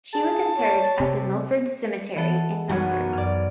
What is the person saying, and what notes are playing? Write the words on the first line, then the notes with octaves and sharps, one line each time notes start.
She was interred at the Milford Cemetery in Milford.
G#4 A5
C#5
C3
E3 B3 A4
B1 F#2 B2
F#2 D5 F6